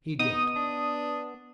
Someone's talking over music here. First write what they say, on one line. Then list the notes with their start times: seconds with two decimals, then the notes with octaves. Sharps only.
"He did."
0.19 B3 D#4 D#6
0.56 D4